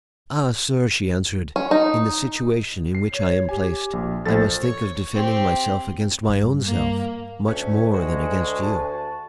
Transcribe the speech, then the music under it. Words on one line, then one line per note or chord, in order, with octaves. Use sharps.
"Ah, sir!" she answered, "in the situation in which I am placed, I must think of defending myself against my own self much more than against you."
C#4
D#4
C7
C#5
G4 G#5
A#1
A#1 A4 C5 A6
C#5
C4 G4
G2
A#3
D2 A3 C#4
G#3 F#4 G#4
A5